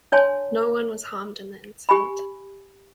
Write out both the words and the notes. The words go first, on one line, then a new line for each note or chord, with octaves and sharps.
No one was harmed in the incident.
D4 C#5 G#5 A5 C6
G4 G#5 B5